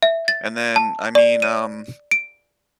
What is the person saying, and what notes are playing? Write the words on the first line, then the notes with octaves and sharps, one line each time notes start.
And then I mean, um.
E5
A6
A5
D5
D#7
D7